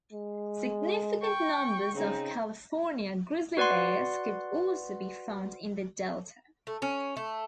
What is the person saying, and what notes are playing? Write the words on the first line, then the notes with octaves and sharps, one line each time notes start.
Significant numbers of California grizzly bears could also be found in the Delta.
G#3
G5 C#6
C#3 C4 D#4
F#4 B4 D5 F#5 C6
A3
C#4
A3